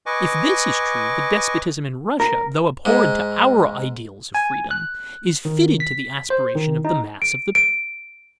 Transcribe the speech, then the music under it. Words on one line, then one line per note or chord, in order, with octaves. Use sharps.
If this is true, the despotism in Russia, though abhorrent to our ideals of freedom, is fitted to the aspirations of the mass of the people.
B4 D#5 G#5 C#6 D6
A#4
G#2
G#5
F#6
D#3
B6
C5
D#3
D#4
D7
D7